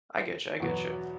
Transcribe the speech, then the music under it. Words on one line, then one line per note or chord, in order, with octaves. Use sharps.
I get you, I get you.
E2 B2 F#3 B3